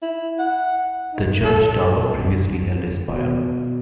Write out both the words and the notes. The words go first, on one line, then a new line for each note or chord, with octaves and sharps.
The church tower previously held a spire.
E4
F#5
D#4
A4
G1
B2